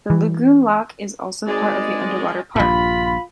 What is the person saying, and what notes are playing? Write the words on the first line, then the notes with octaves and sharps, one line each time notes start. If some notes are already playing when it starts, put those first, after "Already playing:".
The lagoon Lac is also part of the underwater park.
E3
G#1 G#3 D5
A#1 G2 F4 B5